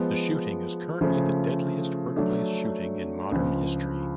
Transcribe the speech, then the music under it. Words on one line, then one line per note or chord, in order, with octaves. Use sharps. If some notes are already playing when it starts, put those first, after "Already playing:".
The shooting is currently the deadliest workplace shooting in modern history.
Already playing: F3 G#3 B3
C#3 F3 A3
F#3 A3 D4
C#2 C#3 F3